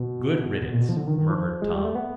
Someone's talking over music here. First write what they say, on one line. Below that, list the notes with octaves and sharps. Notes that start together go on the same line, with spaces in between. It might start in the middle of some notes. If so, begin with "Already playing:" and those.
"Good riddance," murmured Tom.
Already playing: B2
B2
A#2
B2
F3
D3
D#3
D#3
F3
G#3
G3
A3
B3